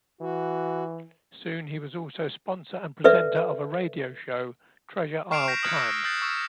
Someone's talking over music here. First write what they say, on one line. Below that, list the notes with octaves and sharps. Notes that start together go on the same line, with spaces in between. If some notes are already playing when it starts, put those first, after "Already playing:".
Soon he was also sponsor and presenter of a radio show, Treasure Isle Time.
E3 F#4
A4 B4 D5 E5
C#6 F6 C7 D7 E7 F7
G6 A#6 B6 E7
D#6 F6 F#6 G#6 C#7
C#6 E6 A#6 D7
D#6 F#6 G6 A6 C7
C#6 E6